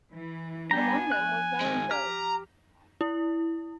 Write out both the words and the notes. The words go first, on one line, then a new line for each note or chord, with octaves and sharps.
Among them was Melantho.
E3
G3 B3 D4 G4 G#5 A#5
F3 F#6
D#3 G#3
G4 A#5 F6
E4